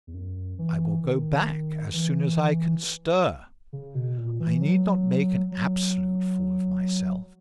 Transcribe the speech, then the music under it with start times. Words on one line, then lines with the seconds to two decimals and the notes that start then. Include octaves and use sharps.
I will go back as soon as I can stir: I need not make an absolute fool of myself.
0.07 E2
0.14 F#2
0.59 E3
1.03 D#3
1.93 E3
3.73 C#3
3.95 B2
4.18 A#2
4.40 E3
4.62 F#3
5.52 F#3